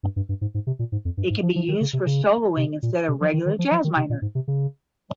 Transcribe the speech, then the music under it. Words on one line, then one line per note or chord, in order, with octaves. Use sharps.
It can be used for soloing instead of regular jazz minor.
G2
G2
G2
G#2
G#2
C3
A#2
G#2
F2
G2
G#2
F3
F3
D#3
C#3
C3
C#3
C3
A#2
C3
F3
D#3
D#3
F3
F3
D#3
C3
A#2
G#2
C3
C#3